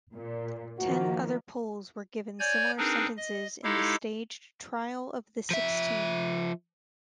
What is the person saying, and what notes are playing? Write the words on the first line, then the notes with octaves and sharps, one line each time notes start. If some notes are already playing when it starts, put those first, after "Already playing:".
Ten other Poles were given similar sentences in the staged Trial of the Sixteen.
A#2
D#3 F3 A#3 F#4
C#5 D5 G#5 G6 G#6
C4 D4 D#4 G#4 A#4 B4
D#5
G#3 D#4 E4 G4 A4 F5
F3 E5